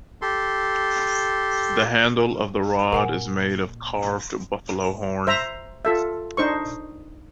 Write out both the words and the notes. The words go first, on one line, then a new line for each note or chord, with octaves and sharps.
The handle of the rod is made of carved buffalo horn.
G4 A4 C6
A#2 A#4 F#5 G#5
C5 E5 A#5
F4 A4 E5
D4 D#4 C5 C#6